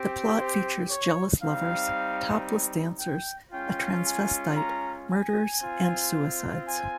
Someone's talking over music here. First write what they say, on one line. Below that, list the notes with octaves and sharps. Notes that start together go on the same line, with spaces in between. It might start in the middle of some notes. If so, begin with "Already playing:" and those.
The plot features jealous lovers, topless dancers, a transvestite, murders and suicides.
Already playing: C4 G4
C5
C#5
G3 C4 D#4 F5
G5
G#3 C#4 F4 G5
G#5
A#5
G#5
C4 F4
G#5